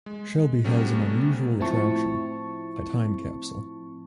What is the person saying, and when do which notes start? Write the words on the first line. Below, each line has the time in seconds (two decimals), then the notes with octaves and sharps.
Shelby has an unusual attraction - a time capsule.
0.06 G#3
0.64 C3 F#3 G3 A3 B3 C#4
1.60 A2 F3 C4 E4 A5 C#6